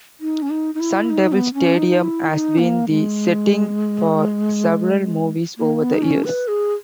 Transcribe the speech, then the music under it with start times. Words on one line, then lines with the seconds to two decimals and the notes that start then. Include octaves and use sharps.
Sun Devil Stadium has been the setting for several movies over the years.
0.20 D#4
0.42 C#4
0.50 D#4
0.75 D#4
0.80 E4
1.10 D#4
1.32 B3
1.54 C#4
1.77 D#4
1.99 E4
2.30 D#4
2.58 A#3
2.89 G#3
5.58 A#3
5.81 B3
5.93 D#4
6.03 C#4
6.25 B4
6.48 G#4